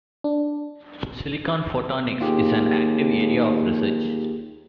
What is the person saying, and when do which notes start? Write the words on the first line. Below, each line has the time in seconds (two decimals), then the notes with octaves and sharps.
Silicon photonics is an active area of research.
0.24 D4
2.20 D#2 F4 G4 G#4